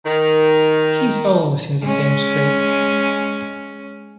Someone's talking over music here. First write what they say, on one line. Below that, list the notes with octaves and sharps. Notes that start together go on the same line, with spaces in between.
He's always in the same scrape.
D#3
G#3 C#4